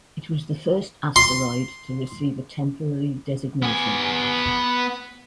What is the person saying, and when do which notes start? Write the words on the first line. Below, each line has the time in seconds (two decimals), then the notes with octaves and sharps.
It was the first asteroid to receive a temporary designation.
1.16 C6
3.63 B3 G#5